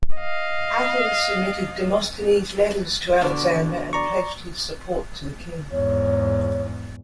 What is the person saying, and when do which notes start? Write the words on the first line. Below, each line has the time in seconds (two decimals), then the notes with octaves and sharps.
Attalus submitted Demosthenes' letters to Alexander and pledged his support to the king.
0.16 D#5 F5
3.21 B2 D3 D4
3.93 D5 A#5 C#6
5.72 E2 G#2 C#5